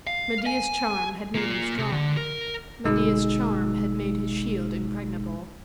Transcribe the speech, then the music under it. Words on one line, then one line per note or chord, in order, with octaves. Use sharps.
Medea's charm had made him strong; Medea's charm had made his shield impregnable.
F5
G#5
A#3 F4
C3
D3
A#4
G1 B2 G#3 D#4 E6